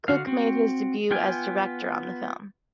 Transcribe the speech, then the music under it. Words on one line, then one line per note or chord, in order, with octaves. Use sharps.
Cook made his debut as director on the film.
D3 F#4 F5
C4 F#4
B3 F4 G5 G#5